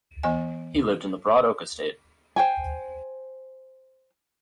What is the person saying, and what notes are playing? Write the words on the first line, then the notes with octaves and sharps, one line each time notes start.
He lived in the Broad Oak estate.
E3 B3 D#5 G#5
C5 G5 G#5